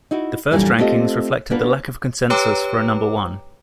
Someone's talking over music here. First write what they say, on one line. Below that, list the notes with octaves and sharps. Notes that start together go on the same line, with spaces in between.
The first rankings reflected the lack of consensus for a number one.
D#4 E4 F#4
F#2 A#2 D3 E3 G3 A#3
A3 C4 F4 G4 C#5 D#5
A#3 B3 D4 F4 A#4 B4
G4 B4 C#5 G5 A#5 D6